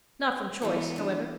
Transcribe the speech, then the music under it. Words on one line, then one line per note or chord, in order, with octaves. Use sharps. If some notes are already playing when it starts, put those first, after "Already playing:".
Not from choice, however.
G#2 E3 G3 B3 E4 F#4
F2 D4